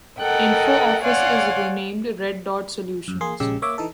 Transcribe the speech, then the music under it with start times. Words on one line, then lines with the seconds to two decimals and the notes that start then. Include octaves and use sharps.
InfoOffice is renamed RedDot Solutions.
0.20 A4 A#4 D#5 F#5 G5
1.04 C#5 D5 F5 F#5 G#5 C6
3.08 F#2
3.21 A#3 G#4 C6
3.40 A#1 C#3 G#3 G4 E6
3.62 A#3 C#5 E5 D6
3.78 E3 D#4 A4